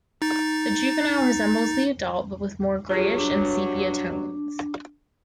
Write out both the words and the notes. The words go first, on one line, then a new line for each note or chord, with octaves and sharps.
The juvenile resembles the adult but with more greyish and sepia tones.
D#4 A6
G2 F#3 F4 G4 G#4
D4